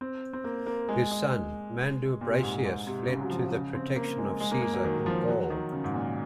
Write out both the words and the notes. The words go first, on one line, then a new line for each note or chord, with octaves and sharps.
His son, Mandubracius, fled to the protection of Caesar in Gaul.
C4
C4
A#3
A#3
G#3
G#3
A#2
C3
A#2
G#2
G#2
C3
C#3
F#3
F3
C#3
C4
A#3
G#3
G#3
A#3
A#3
F#3
D#3
F3
F#3
D#3
C#3
G#2
A#2